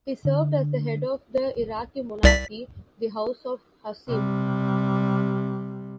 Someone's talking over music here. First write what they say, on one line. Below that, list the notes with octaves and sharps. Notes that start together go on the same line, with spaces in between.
He served as the head of the Iraqi monarchy-the House of Hashim.
D3
C2 D5 B6
C3 G3